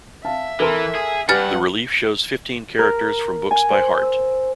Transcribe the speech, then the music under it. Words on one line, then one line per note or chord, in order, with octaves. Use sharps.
The relief shows fifteen characters from books by Harte.
E5 F5 A5
E3 A4 A#4 C6
G#4
G2 G4 B4 F#5 G#5 F6 A6
A#4
G#5
C5
E6